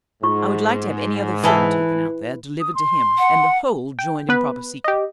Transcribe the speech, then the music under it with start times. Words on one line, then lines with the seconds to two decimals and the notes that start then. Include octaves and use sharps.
I would like to have any other film taken out there delivered to him and the whole joined in proper sequence.
0.23 G#2 F4 C#6 D6
1.43 E3 G#4 A4 E5
2.60 D#6
2.75 C6
3.18 F#5
3.99 G5
4.29 B3 B4
4.84 G4 D#5